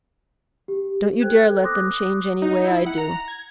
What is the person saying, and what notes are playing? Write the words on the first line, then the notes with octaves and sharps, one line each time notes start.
Don't you dare let them change any way I do.
G4
A4 C5 G5 F#6 G#6
C6 D6 D#6 F#6 A#6
D#4
E4
F#5
A#5
G#6